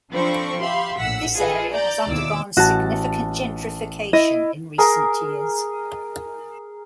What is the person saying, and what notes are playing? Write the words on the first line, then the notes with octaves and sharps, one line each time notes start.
This area has undergone significant gentrification in recent years.
F3 C4 D4 A4 B5 C#6
G4 E5 F5 B5 C6
A#1 A2 F#5 E6 B6
F4 G#4 A4 B4 D#5
D5 A#5 G6
D#2 B2 E4 D6 E6
A1 F#4 A5
E4 D#5
G#4 A#4